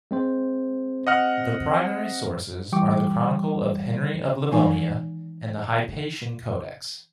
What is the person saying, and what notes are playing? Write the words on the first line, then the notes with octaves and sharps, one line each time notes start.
The primary sources are the Chronicle of Henry of Livonia and Hypatian Codex.
G#3 C4 C5
D#5 F#5 F6
E3 G3 G5 C#6 D6
D#3 E3 G#3 D#4 G#5 C#6